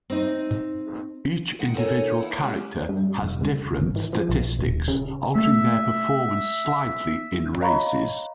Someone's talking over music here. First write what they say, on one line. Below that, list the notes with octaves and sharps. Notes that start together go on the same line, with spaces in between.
Each individual character has different statistics, altering their performance slightly in races.
C4 D#4
D#3 G#3 F#5 G5
D#4 A4 A#4 C#5 G#5
E2 E4 F#5
G#3 A3 C#4 G4
G2
F1
C#2
G#1
E3
F3
B1
D#1
C#3
A3 E5
C#5 D#5 F5 A#5 B5 C#6